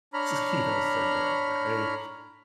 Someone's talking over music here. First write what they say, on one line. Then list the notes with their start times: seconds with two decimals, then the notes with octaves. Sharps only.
s you know, said that." But, hey,
0.13 D4 C#5 A#5 B5 F6